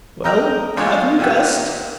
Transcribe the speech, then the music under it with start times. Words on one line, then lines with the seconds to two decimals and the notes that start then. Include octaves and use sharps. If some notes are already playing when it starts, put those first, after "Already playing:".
"Well, have you guessed?"
0.24 A#4 D#5 G5 A#5
0.77 G#3 D4 F4 G#4 C#5 G5
1.19 A#2 D#3 G4 E5 F#5